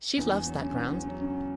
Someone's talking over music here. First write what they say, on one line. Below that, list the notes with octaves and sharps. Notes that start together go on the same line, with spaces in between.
She loves that ground.
E2
E2
F#3
C#3
E2
E2
F#3
C#3